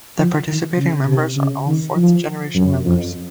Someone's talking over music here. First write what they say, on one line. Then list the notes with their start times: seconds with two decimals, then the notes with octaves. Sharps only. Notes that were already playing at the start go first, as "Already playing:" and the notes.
The participating members are all fourth generation members.
0.18 F3
0.47 D#3
0.77 C#3
1.07 C3
1.36 C#3
1.66 D#3
1.95 F3
2.55 F#2
2.84 F2